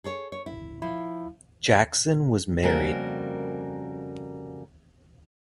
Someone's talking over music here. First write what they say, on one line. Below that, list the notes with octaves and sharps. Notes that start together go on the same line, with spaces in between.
Jackson was married.
G#4 A4 C#5
C#5
E4
F3 E4
F2 C#3 G3 A#3 F#4 A#4